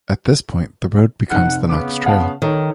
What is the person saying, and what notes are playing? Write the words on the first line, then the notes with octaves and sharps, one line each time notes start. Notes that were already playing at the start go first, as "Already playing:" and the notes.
At this point the road becomes the Knox Trail.
F1 D#4 F#5 F6
C#3 B3 D6
F5 F#5 A5
D#3 A4 C#5